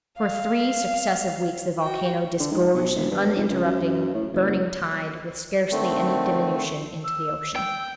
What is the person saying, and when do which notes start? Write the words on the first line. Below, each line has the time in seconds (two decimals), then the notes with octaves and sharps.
For three successive weeks the volcano disgorged an uninterrupted burning tide, with scarcely any diminution, into the ocean.
0.18 F5
1.81 F#4 G5
2.40 D3
2.52 G#2
2.75 B1
2.96 E1
3.11 G2
3.36 F1
3.49 C#2
3.64 F#2
3.82 F#2
4.14 A2
4.33 F#1
5.71 D3 D#3 A3 C4
7.04 E6
7.56 G5 E6